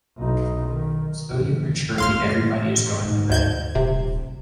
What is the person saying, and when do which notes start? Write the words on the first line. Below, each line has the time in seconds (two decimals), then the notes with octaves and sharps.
Slowly but surely everybody is going to bed.
0.18 B1 D#4
0.67 D#3
1.98 F5 C6 F6
3.05 G#2
3.30 D2 G6 G#6
3.75 D#1 C3